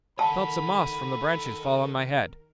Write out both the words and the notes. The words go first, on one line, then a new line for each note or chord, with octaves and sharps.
I felt some moss from the branches fall on my head.
D#3 A4 A#4 F#5 A5 B5